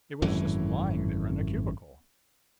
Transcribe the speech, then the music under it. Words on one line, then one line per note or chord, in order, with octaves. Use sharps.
It was just lying there in a cubicle.
G#1 F#2 A2 E3